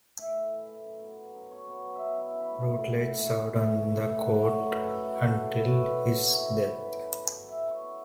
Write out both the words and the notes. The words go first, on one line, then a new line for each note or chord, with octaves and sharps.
Rutledge served on the court until his death.
A2 E5
A3
E3
A2
F#2
B3
F#3
F#2
B2 C#5
B3
C#5
F#3
E5
B2
E4
C#4
B5
A3
A5
A2
E3
E4
A3
E3
A2
C#4
A3
A2
C#3 F#5
A3
C#5
F#3
B4
C#3
C#3 A4
A3
F#4
E3
A4
C#3
B2 B4
C#5
E4
B4
B3
B2
E3 F#4
E4
A4
C#4
B4
E3
C#3 B5
B3
B5
F#3
A5
C#3
E3 E5
E4
C#5
B3